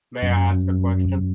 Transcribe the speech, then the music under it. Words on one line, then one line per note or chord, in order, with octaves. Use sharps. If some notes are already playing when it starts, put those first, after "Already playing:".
May I ask a question?
F#2